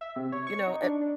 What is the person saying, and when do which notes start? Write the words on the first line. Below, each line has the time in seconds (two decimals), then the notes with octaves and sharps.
You know, it
0.01 E5
0.16 C3
0.32 C#5
0.47 C#6
0.67 D#4
0.82 D4
1.01 D4